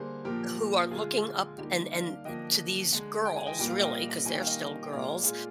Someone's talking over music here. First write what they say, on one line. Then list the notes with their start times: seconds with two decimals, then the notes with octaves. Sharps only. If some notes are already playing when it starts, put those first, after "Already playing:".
who are looking up and and to these girls, really, 'cause they're still girls,
Already playing: D3 G3 A#3 G#4 C5
0.24 A#2 F3 A#3 G4 A#4
0.91 D3 G#3 F4 G#4
1.58 D3 G3 A#3 D#4 G4
1.92 D5 F5
2.25 D3 F3 A#3 D#5 G5
2.93 D3 G#3
3.25 G5
3.36 G#5
3.47 D#5 G5
3.59 A#2 G3 A#3 G5
3.69 F5
3.80 D#5 G5
4.25 D#3 G3 A#3 G#5
4.33 G5
4.40 F5
4.47 D#5 G5
4.83 G5
4.92 A#2 G#3 D5 F5
5.26 F4 G#4